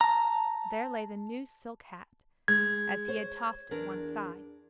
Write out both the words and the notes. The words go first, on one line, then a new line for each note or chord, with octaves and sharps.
There lay the new silk hat, as he had tossed it one side.
A5 A#5
G#3 G#6
C5 C#5
E2 D4 A#4